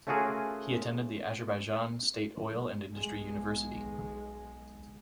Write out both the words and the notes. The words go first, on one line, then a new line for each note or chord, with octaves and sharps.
He attended the Azerbaijan State Oil and Industry University.
A3 C#4 F4 F#4 G#4 A#4
B1 G#3